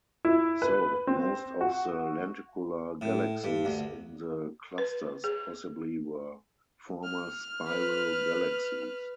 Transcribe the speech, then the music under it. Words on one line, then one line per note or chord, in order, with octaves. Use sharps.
So, most of the lenticular galaxies in the clusters possibly were former spiral galaxies.
E4
B4
C4
F#4
A2
G2
D2
B4
G#4
F6
B4